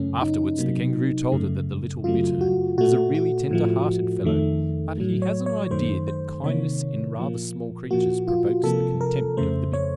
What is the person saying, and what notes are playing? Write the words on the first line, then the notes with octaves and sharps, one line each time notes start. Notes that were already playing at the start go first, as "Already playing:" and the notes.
Afterwards the Kangaroo told her that the little Bittern is a really tender-hearted fellow, but he has an idea that kindness in rather small creatures provokes the contempt of the big ones.
Already playing: F#2 C#3 A3 C#4
D#4
C3 F#3 A#3
F#2 C#3 A3
F#2 C#3 F#3 A3 F4
F#4
A#2 A3 F#4
F#4
A2 F3 A3
F2 D#3 A3
A2 F#3 A3
C#5
C#5
F#2 D#3 A3 C5
C5
C3 D#3 A#3 C#5
A#2 F3 A#3
A#2 F3 A#3 F#4
F4
C3 F3 A#3 A4
A#4
F2 C#3 A3 C5
C#5